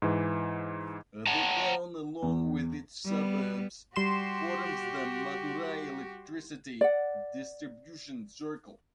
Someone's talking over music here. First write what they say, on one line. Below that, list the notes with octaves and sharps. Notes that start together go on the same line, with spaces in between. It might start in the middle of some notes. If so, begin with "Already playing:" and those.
The town along with its suburbs forms the Madurai Electricity Distribution Circle.
G#2 E3
C#5 F#5 A5 A#5
E2
G3 B3
G3 F#4 G4 C6 E7
D5 F#5